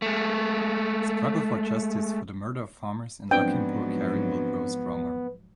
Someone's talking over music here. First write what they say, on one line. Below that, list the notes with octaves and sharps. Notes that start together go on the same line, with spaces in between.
Struggle for justice for the murder of farmers in Lakhimpur Kheri will grow stronger.
G#3 A3
G#2 F3 F#3 B3 C4 D4 B4 G5